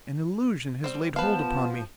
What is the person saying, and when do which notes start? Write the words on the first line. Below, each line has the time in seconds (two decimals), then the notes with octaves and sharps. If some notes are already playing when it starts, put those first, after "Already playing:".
An illusion has laid hold upon me.
0.84 G3 C4
1.16 F3 B3 B4 F5 A5